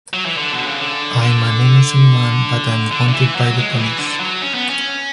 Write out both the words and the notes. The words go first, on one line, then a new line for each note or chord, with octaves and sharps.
I’m an innocent man, but I’m wanted by the police.
F#3
E3
D3
B2
C#3
D3
D3
D3
D3
E3
F#3
G#3
F#3
E3
D3
F#3
C#4
B3
C#4